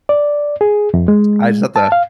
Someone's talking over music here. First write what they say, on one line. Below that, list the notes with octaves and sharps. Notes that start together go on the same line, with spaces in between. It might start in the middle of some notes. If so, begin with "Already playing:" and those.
I just have to
D5
G#4
F2
G#3
A5
F5